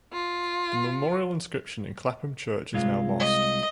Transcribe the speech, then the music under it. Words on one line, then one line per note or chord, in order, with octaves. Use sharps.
The memorial inscription in Clapham church is now lost.
F4
C2 G#3 F4
D#5